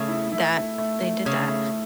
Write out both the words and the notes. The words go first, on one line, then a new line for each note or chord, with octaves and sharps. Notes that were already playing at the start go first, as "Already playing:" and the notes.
that they did that,
Already playing: C#3 A3
E4
E4
A3
A3
A3
C#3 A3
A3